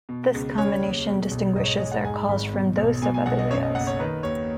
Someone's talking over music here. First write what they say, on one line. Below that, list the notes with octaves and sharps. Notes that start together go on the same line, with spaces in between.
This combination distinguishes their calls from those of other whales.
B2
C#2
C#3 C#5
D#2
B2
B1
G#2 D#5
C#5
D#5
G#3 D#5
F#5
G#2 G#5
G#1 B5
B2
B1
B2 G#5
G#5
B1 F#5
D#5
F#2 C#5
D#5
F#1 F#5
C#5
D#3 B4
D#2 C#5